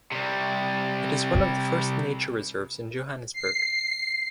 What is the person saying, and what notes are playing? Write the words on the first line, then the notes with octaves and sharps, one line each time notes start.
It is one of the first nature reserves in Johannesburg.
C3 G3
C7